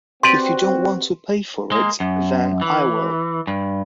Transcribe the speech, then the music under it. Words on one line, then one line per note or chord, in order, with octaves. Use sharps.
If you don't want to pay for it then I will.
C4 F#4 G4 B4 D5 C6
G#3 A#3
F#2
E3
G2